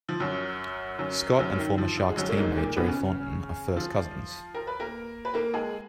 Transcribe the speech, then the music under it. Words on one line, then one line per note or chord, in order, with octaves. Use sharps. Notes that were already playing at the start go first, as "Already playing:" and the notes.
Scott and former Sharks teammate Joe Thornton are first cousins.
F3
F#2 F#3
F#2 F#3
F#2 F#3
D#3
F3
F3
G#3
F#2 F#3
A#3
G#2 G#3
A#2 A#3
B2 B3
C#3 C#4
F3 F4
A#4
B4
A#3 A#4
B4
A#3 A#4
G#3 G#4